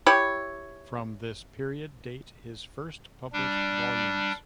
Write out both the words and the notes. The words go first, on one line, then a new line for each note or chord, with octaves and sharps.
From this period date his first published volumes.
E4 G4 C#5
G3 D4